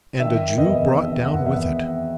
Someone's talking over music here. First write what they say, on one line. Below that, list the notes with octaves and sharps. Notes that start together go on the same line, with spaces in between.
'And a Jew brought down with it!
D#3 E5
E2 D#5
D#3 E5
F#5
E2
E5